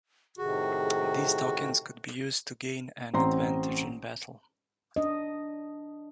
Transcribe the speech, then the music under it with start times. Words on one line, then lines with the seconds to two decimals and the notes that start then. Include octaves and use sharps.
These tokens could be used to gain an advantage in battle.
0.38 A2 C3 D#3 F#4 G#4
3.14 A1 C4 A#5 C6
4.96 D4 D#5